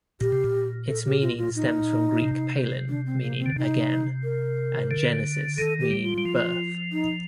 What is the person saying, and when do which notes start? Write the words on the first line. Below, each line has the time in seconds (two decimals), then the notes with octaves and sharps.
Its meaning stems from Greek "palin", meaning "again", and "genesis", meaning "birth".
0.21 A#2 G4
0.32 C3
0.44 A#2
0.88 A4
1.05 G4
1.22 F4
1.38 F4
1.56 D#4
2.22 C3
2.89 D4
3.06 C4
3.22 A#3
3.39 C4
3.46 D3
3.56 C3 D#4
4.24 A#4
4.91 D3
5.58 D#3 A4
5.80 G4
5.91 G3
6.03 F4
6.18 G3
6.26 F3
6.92 D#4